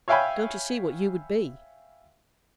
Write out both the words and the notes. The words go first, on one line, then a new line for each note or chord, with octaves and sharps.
'Don't you see what you would be?
C#5 E5 F5 G5 G#5 B5